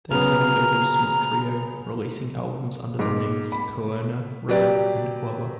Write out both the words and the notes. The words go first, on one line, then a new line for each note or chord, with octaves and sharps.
They formed a loose-knit trio, releasing albums under the name Koerner, Ray and Glover.
C#3 F#3 B3 A#5 F6
G#2 D6
B5
F#3 G4 B4 D5